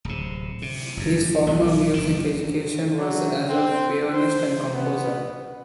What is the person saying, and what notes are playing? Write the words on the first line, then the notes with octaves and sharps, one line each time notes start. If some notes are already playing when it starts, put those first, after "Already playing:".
His formal music education was as a pianist and composer.
D1 C3
C3
F#1 G2
B1
F#1 D#3
F#3
C4
C5
B3